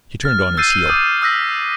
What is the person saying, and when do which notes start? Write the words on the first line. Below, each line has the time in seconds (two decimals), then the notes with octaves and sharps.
He turned on his heel.
0.24 F6 A6
0.57 E6 G6 A6 C7 D#7
0.87 D6 D#6 G6 D#7
1.21 D#6 E6 F#6 A#6 B6